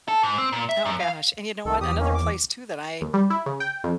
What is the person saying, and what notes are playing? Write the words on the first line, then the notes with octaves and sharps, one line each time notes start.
Oh gosh, and you know what, another place too that I
A4
G#2
C4
A#2
E5
F#2
F5
C2 D#3 A4
E2 G4 D#6
D#3 A#3 C#4
D6
D#2
G3
E4
C#3
G5
F2